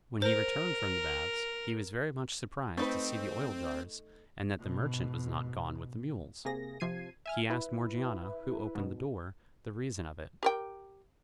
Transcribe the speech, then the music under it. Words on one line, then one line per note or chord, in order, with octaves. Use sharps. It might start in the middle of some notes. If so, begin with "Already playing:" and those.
When he returned from the baths, he was very much surprised to see the oil jars, and that the merchant was not gone with the mules. He asked Morgiana, who opened the door, the reason of it.
A#4 C5
A3 C4 D#4 B4
G#2 B2
C3 A#3 G#4 A#6
C3 F3 G#6 C7 D#7
E5 G#5 F6
E4 B4
G#2 B2
G4 A#4 G5